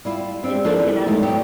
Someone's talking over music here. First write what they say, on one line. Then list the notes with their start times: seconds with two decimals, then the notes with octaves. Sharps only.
and looking at
0.05 G3 E4 F4
0.43 B3 C4 D4
0.64 F3 A#3 D4 F4 A4 C5
0.79 E3
1.06 E2 D#3 G#3 A3 D#4
1.23 B2 F#3 G3 G4